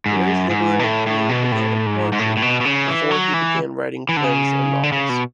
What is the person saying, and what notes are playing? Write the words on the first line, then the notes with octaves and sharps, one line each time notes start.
Barry's literary career began in poetry before he began writing plays and novels.
G#2
F#2
G#2
B2
A2
A2
B2
A2
G#2
G#2
A2
A2
B2
B2
C#3
E3
F#3
E3
E3
D3
C#3
D3
C#3
B2